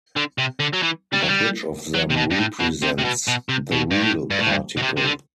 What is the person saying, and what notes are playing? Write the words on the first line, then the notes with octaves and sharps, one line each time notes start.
But which of them represents the "real" particle?
D3
C3
D3
F#3
E3
G3
F#3
G3
F#3
C3
B2
G2
A2
B2
C3
C3
B2
B2
C3
B2
G2
A2
G2
A2
G2
B2
C3
C3
D3